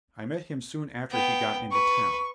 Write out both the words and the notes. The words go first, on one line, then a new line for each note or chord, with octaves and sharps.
I met him soon after he got into town.
B3 G5
B4 C#6